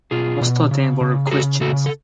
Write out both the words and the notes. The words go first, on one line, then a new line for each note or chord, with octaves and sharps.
Most of them were Christians.
B2 F4 G#4
B2
C#3
C#3
G#4
C#3 F#4 A4
C#3 F#4 A4
A4